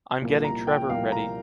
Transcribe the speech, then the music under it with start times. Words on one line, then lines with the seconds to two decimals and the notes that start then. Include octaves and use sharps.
I’m getting Trevor ready!
0.21 C2 A#2 F3 A#3
0.44 A#5
0.67 G5
0.90 C2 A#2 F3 A#3 F5
1.12 A#5